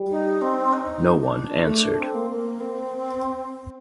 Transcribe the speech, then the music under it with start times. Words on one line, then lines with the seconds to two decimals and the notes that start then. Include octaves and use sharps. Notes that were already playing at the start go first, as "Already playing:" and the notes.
No one answered.
Already playing: G3
0.10 D#4
0.41 C4
0.73 D#4
1.19 D4
1.66 A3 D4
1.98 C4
2.14 A#3
2.30 A#3
2.60 C4